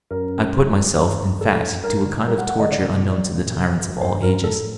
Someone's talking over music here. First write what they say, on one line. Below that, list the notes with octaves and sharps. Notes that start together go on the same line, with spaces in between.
I put myself, in fact, to a kind of torture unknown to the tyrants of all ages.
F#2 A#4
G2
G2
G2 A4
A2
G2
F#2
G2 A#4
F#2
D3
D#3
G3 A#4
G3 F#5
F#5
D#3 D#5
D3 D5
C3
C3
A#2
G2
A2
A#2
A#2
C3
F#2
G2
F#2
G2 C5
A#4
A2 A4